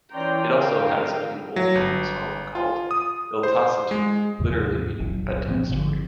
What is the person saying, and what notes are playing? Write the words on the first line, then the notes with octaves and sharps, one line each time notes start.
It also has an old peoples home called Iltasatu literally meaning bedtime story.
E3 C#4 D5 G5 A#5 C6
D3 A#4 B4 F5 G5 A#5
F#3
G1
F4
D#6
C5
G#3
D#2 G#2 C3 F3
F1 C2 A#2 F#3
A#2 F3 F#3 C4
G1 D3 F3